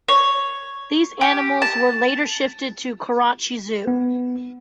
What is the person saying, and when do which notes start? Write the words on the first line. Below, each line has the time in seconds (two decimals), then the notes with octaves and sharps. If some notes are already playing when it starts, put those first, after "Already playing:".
These animals were later shifted to Karachi Zoo.
0.08 C#5
1.21 G4
1.62 A5
3.87 B3